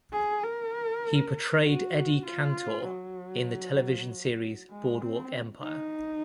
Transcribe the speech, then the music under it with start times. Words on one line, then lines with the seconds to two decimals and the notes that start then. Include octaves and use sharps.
He portrayed Eddie Cantor in the television series "Boardwalk Empire".
0.13 G#4
0.43 A#4
1.65 F#4
2.26 F4
2.87 F#3
4.70 G#3
5.01 C4
5.63 D#4